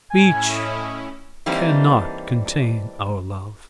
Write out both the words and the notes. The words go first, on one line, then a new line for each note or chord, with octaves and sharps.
Speech can not contain our love.
A2 C#4 E4 G#5
D#5
E3 G3 A#3 C4 D4 D#4